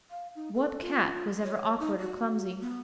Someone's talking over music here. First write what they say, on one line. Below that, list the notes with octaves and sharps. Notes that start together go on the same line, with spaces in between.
What Cat was ever awkward or clumsy?
F5
D#4
A4
F4
C#5
D#4
F#4
B3